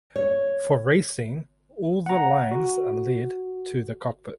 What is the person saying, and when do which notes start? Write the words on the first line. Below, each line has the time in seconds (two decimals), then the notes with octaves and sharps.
For racing all the lines are led to the cockpit.
0.16 C#5
2.06 F#5 A#5
2.51 F#4